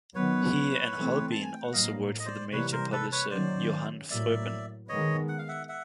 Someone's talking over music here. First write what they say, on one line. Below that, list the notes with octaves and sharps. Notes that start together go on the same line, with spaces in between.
He and Holbein also worked for the major publisher Johann Froben.
D#3 F#3 B3 B4 C#5
E3 A3 C4
A5
G#5
G5
F#5
A2 F#3 A#3 D#5 F5
D#5
C5 D5
C3 E3 G3 A#3 B4 C#5
A#4 C5
A4 B4
B4 C#5
D#3 F#3 A#3 C#4 C5 D5
A2 F#3 A#3 D5 E5
D#3 G#3 B3 C#5 D#5
F#5
F5
E5 F#5
E5 F#5